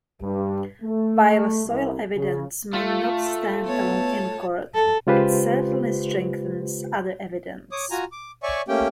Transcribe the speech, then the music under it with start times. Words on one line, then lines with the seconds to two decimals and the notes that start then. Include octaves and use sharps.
While soil evidence may not stand alone in court it certainly strengthens other evidence.
0.21 G2
0.82 A3
1.66 C2
2.15 C#3
2.73 A3 F4
3.66 B3 C#5 A5
4.74 A4
5.07 C#3 G#3 F4 G4 B4 C5
7.72 C#5 D6 D#6
7.91 F4 F#4 G#5 A#5
8.12 D6
8.43 C#5 D5 E5 G#5 C#6
8.68 A3 A#3 C#4 G4 G5